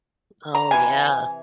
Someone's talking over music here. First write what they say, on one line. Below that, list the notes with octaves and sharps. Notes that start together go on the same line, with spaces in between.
Oh, yeah.
A#5
C3 E3 G#5